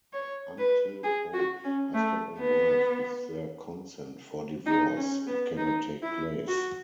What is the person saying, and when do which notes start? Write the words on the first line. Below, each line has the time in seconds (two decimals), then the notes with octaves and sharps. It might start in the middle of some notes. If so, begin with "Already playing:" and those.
Until both husband and wife give their consent for divorce, it cannot take place.
0.13 C#5
0.58 B4
1.04 G#4
1.33 F#4
1.64 C#4
1.95 A3
2.40 B3
4.66 D#4
4.96 C#4
5.27 B3
5.57 D#4
6.03 E4
6.48 F#4